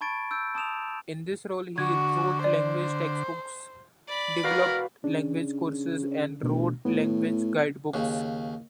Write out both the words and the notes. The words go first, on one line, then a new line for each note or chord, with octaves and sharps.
In this role, he wrote language textbooks, developed language courses, and wrote language guidebooks.
A5 B5 C#6 G#6 A6 D7
E6 G6 D7
A5 D#6 E7 F7
D3 F#4 G#6
C5 D5
D5 B5
F#4 A#4 B4 F5
C#3 D4
D2 B2
A2 B3
D#2 C#3